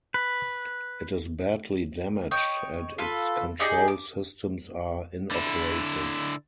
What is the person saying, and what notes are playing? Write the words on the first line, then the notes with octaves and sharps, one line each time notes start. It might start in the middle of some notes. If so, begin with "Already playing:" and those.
It is badly damaged and its control systems are inoperative.
B4
C#5 D#5 G5
F4 A4 B4
D#4 G4 G#4 D5
D6
D3 E4